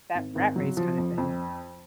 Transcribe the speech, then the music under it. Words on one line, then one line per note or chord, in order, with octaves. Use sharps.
that rat race, kinda thing.
G#1
G#1
F#3
F3
F2
F2